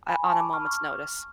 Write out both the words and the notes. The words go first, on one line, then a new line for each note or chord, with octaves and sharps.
uh, on a moment's notice.
G#5 B5
A5 C#6
B5 D6
C#6 F6
C#6 F6